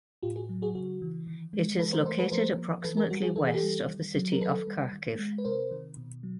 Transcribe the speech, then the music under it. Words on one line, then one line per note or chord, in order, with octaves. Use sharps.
It is located approximately west of the city of Kharkiv.
A2 F4 G4
F#4 G#4
F#3
F#4 G#4
C#3 F#4
E3
D#3
G#3
E3 A4 B4
A#4 C5
A3 A#4 C5
A4 B4
F3 A#4 C5
A#3
E3 A4 B4
G#4 A#4
G3 F#4
F#4 G#4
E3 A4
G#4
G4 A4
G3
D#3
F#3
A#4
D#3 A4 B4
G3
D#3
G#3
B4
C3 A#4 C5
D#3
B2
F#3